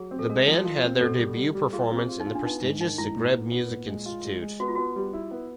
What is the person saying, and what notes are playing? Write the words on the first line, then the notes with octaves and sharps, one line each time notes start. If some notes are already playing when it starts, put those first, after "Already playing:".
The band had their debut performance in the prestigious Zagreb Music Institute.
Already playing: F#3 G#4
C4
A4
G#3 A#4
F3
F4 A#4
C4
B2 A4
G3
G3
G3
F4 G#4
C4
G#4
F4
D#4
F4
D4
B3 D#4
G#2
D#3 D#4
G#2 E4
A#2
B3
B3
A#2
G#3
F4
G#3
G#3
B3 F#4
F4
B3 F#4
G3
E4
B3